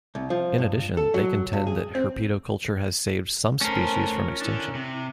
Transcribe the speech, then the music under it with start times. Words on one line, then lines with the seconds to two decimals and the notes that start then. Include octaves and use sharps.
In addition, they contend that herpetoculture has saved some species from extinction.
0.15 C2
0.30 F3
0.58 G2
0.97 A4
1.14 F#3
1.53 G2
1.67 G#4
1.95 C4
3.61 A3 C#4 A#4 C5 A5
4.27 F4
4.41 D4 E4 A4
4.75 C3